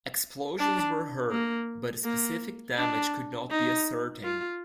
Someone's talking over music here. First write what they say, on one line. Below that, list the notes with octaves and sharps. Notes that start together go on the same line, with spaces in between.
Explosions were heard, but specific damage could not be ascertained.
D4
A#3
A#3
D4
D#4
F4